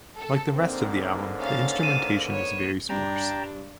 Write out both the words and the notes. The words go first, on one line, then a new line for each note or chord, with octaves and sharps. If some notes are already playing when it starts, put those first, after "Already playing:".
Like the rest of the album, the instrumentation is very sparse.
A4
G#2 D3 A#3 C4
C#4 F5 A6
D#7 E7
B3 C#5
G2 D4 G5 A5 A#5